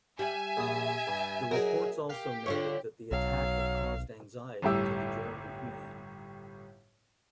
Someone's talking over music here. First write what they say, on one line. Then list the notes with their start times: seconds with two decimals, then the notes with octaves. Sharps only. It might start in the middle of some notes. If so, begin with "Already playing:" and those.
The reports also noted that the attack had caused anxiety to the German command.
0.19 G3 E5 G#5
0.57 A#1 D#6
1.07 G2
1.51 F#3 D#4 G#4 A#4
2.10 G4 F5
2.46 D3 F4 C#5
3.12 B1 F#3 F5
4.62 G1 C2 A2 G4 E6